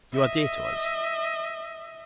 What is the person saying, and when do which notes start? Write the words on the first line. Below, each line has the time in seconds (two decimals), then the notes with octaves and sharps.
You are dear to us.
0.12 D#5 E5